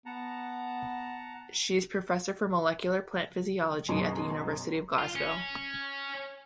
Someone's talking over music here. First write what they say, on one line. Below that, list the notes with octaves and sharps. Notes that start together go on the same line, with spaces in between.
She is professor for Molecular Plant Physiology at the University of Glasgow.
B3 F#5 A5 A#5
F#2 B2 F#3 G#3 C6 C#6
F4
C#4